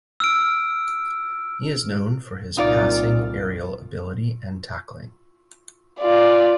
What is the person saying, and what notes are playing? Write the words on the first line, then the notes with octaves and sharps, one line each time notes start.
He is known for his passing, aerial ability and tackling.
E6 F6 D7
C2 A#2 D#4 F4 D5
F4 D5